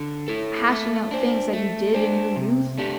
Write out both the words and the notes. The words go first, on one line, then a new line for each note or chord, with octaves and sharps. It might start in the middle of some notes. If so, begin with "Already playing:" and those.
hashing out things that you did in your youth,
Already playing: D3
A3 E4 A4
A3
D4 C5
A3
D4 C5
C3
A3 D4 G4